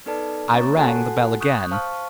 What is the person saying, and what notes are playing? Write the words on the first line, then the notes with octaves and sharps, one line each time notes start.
I rang the bell again.
B3 D#4 A4 B4 D5 A5
A#3 C#4 C#5 A#5 C#6 A6
F#4 A4 F#5 G#5 A5 F#6
C#6 D#6 F#6 G6
C5 F5 A5 C#6 F6